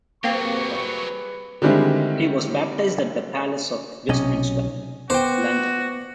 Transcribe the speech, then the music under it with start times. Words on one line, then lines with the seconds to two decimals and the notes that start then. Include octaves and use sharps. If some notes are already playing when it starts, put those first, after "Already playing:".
He was baptised at the Palace of Westminster, London.
0.24 F#3 G3 A#3 C4 G4 G#4 B4 C#6
1.62 D3 D#3 G3 G#3 C4 E4
4.09 B1 C3 C#4 D#5
5.10 B3 F#4 C5 G5 D6